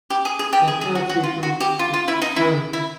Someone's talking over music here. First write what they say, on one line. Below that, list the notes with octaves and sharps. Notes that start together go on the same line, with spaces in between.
Apathy Took Helm!
G4
G#4
G#4
G4
G#4
G#4
F#4
F#4
F4
F#4
G4
F4
F4
E4
D#4
E4
E4